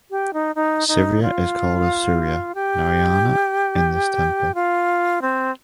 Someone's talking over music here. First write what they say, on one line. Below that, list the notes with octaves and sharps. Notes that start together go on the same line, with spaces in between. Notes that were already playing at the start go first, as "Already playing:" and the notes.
Surya is called as Surya Narayana in this temple.
G4
D#4
D#4
D#4
F4
G4
F4
C4